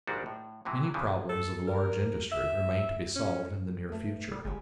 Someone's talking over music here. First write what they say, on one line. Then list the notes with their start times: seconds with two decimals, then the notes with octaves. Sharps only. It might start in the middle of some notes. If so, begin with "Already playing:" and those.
Many problems of large industry remain to be solved in the near future.
0.08 A#1 G#2 D#3 G3 D4 F#4
0.26 A2
0.65 A2 C3 E3 F#3
0.94 G2 C#3 E3 F3
1.29 A4
1.67 A#4
2.32 E5
3.16 C#4
3.89 A3 B3
4.32 G3
4.45 G1 G3 G#3